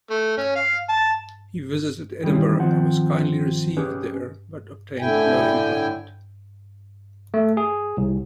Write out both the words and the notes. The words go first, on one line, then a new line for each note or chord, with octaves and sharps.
He visited Edinburgh, and was kindly received there, but obtained no employment.
A3
C#4
F5
A5
D#3 E3 G3 C#4
D#3 F3 C4 F#5
C#4 G4 G#4 B4
A2 D3 E4 G5 G#5
A3
G#4
C2